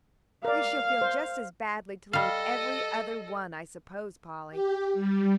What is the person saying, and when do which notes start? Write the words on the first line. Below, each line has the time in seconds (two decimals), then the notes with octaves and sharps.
"We shall feel just as badly to leave every other one, I suppose, Polly."
0.45 A#4 D5 F5
1.01 C5
2.13 G3 A4 D#5 F5
4.51 G4
4.93 G3